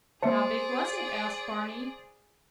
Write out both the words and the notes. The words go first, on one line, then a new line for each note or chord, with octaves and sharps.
"How big was it?" asked Barney.
A#3 G#4 C5 D5 E5 A5 C#7